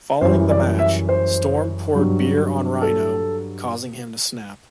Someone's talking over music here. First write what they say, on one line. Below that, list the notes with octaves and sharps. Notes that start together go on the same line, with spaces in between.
Following the match, Storm poured beer on Rhino, causing him to snap.
F#2 E3 G3 C5
D5
E5
C5
G2 F#3
A4